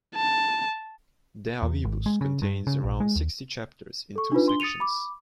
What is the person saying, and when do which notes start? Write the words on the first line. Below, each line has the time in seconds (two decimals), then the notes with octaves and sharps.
"De avibus" contains around sixty chapters in two sections.
0.15 A5
1.62 E2
1.85 G#1
2.06 G#3
2.21 C#3
2.42 G2
2.67 C#3
2.84 A#1
3.00 G#3
3.16 D#2
4.16 A4 C#6
4.32 D4 D#4 F4 B4
4.46 D4 C6 G7
4.60 D#6 A6 C#7 D#7 F7
4.80 B5 D6